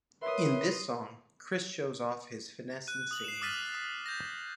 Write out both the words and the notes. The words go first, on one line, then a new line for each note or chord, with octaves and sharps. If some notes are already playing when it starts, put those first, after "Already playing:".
In this song Chris shows off his finesse in singing.
A#4 B4 C#5 E5 C6 D#6
F#6 D#7
D#6 F#7
C7 E7
D6 D#6 F6 A6 B6 D#7
D#6
G6 A#6